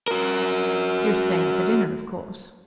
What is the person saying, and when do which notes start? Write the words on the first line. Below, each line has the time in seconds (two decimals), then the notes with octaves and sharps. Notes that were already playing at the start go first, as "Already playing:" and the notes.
"You're staying for dinner, of course?"
0.08 F#4 A#4